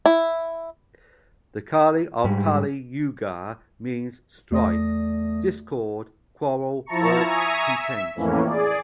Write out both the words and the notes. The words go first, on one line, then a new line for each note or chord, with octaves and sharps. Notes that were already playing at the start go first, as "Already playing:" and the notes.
The "Kali" of Kali Yuga means "strife", "discord", "quarrel" or "contention".
E4
G#2 G3
E2 A3 D5 D#6 A#6
F3 E4 A5 A#5 C#6 C#7
E5 G#5 A#5 C#6 D#6
E5
F2 A2 E3 A#3 C#4
G#4 D5